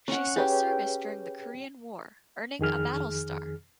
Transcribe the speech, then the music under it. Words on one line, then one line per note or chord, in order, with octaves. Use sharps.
She saw service during the Korean War, earning a battle star.
C#4 F#5
G4 G#4 B4 C#5
F2 D#3 G#4 F6